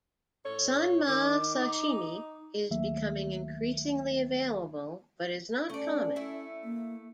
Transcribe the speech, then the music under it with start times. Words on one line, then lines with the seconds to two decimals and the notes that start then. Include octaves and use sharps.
"Sanma" sashimi is becoming increasingly available but is not common.
0.45 A2 A4 C#5
1.08 D#3 D6
1.56 D#4
2.71 D2 D#3 F#3 A3 A#3 E5
5.70 A3 C#4 D5
6.16 A3 E4
6.64 A#3